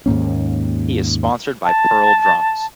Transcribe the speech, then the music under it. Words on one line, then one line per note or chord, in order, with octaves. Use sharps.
He is sponsored by Pearl Drums.
D#2 G#2 A#3 C#4
A5